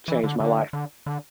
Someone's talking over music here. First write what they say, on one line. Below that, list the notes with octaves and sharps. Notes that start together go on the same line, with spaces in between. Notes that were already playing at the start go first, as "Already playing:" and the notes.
Changed my life.
E3
D3
D3
D3
D3